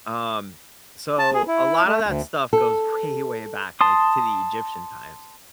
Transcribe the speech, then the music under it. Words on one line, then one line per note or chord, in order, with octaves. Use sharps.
um, so a lotta that stuff goes way, way back, like, to the Egyptian times.
A5
G#4
E4
A3
D2
A4
A5 C6 D#6